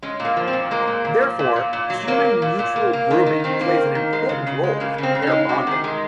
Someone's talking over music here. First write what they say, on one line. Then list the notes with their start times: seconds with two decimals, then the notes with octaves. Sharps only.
Therefore, human mutual grooming plays an important role in pair bonding.
0.02 G#3 C#4
0.20 A#2
0.25 A#3
0.36 F3
0.48 C4
0.53 A#2
0.71 G#3 A#3
0.87 A#2
1.05 A#2
1.23 F3
1.39 A#2
1.56 A#2
1.73 A#2
1.90 F#3
2.07 F#3 A#3
2.24 A#3
2.42 A#2
2.59 A#2
2.76 A#3
2.93 A#3
3.11 D#3
3.26 D#3
3.44 D#3 C4
3.61 A#3
3.78 A#3
3.95 D#3
4.13 G#3
4.29 C#3
4.47 C#3
4.63 G#3
4.80 C#3 A#3
4.98 C#3 C4
5.15 C#3
5.22 C#4
5.27 D#4
5.31 G#3
5.49 C3 F#4
5.67 D#3 G#4
5.84 G#3